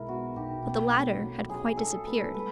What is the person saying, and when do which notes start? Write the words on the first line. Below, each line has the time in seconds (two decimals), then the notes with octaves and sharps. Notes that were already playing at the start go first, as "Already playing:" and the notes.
But the ladder had quite disappeared.
Already playing: B1 B2 G#3 E4 A#4
0.08 B3 F#4
0.36 B1 G4
0.65 B2
0.93 A3
1.22 F#3
1.50 F#3 G#4
1.77 F#3 A4
2.07 A3 B4
2.34 G3 B4